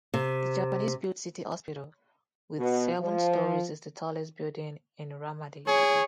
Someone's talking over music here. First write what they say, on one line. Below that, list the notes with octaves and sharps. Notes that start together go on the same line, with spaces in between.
The Japanese-built city hospital, with seven storeys, is the tallest building in Ramadi.
C3
B2
F3
G#4 C#5